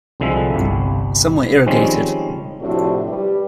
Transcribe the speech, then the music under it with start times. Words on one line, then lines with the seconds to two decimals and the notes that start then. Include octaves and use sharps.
Some were irrigated.
0.20 C2 D3 F3 G#3 E5
0.54 G1 C2
1.66 D#3 F3 G3 G#3 C4 C#4
2.61 A2 C3 F3 D4 F#4 A4
3.08 G3 B4